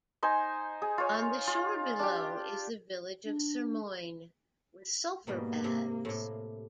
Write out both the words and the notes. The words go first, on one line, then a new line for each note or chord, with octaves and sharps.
On the shore below is the village of Sirmione, with sulfur baths.
D#4 C5 G#5
G#4
F4 C#5
F4
D4 G4
D4
G#2 B2 G3 A#3
C3
A2 C3